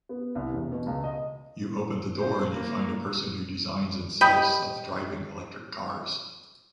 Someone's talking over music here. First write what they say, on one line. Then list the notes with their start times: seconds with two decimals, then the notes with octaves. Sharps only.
You open the door and you find a person who designs and sells self-driving electric cars.
0.09 B3
0.35 C2
0.53 E1
0.72 B2
0.86 C#2
1.04 D#5
2.18 C5
2.51 A#3
4.21 G4 D#5 G5 B5